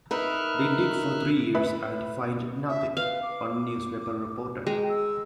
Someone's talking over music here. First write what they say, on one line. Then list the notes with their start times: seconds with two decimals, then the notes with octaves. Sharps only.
"They dig for three years and find nothing," one newspaper reported.
0.11 D#4 A#4 B4 E5 F6 F#6
1.55 B4 E5 B5
2.69 E5
2.97 B4 F5
3.22 D6
4.67 G#3 G5 A#5
4.89 E6